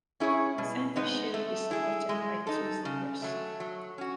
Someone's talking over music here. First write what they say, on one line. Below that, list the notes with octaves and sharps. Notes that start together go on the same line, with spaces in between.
The centre shield is supported by two zebras.
C#4 E4 G#4 C#5
B2
G#3 B3 D#4
A3
E4 G#4
G#3
D#4 A4
C#3
F#3 A3
F#3
C#4 F#4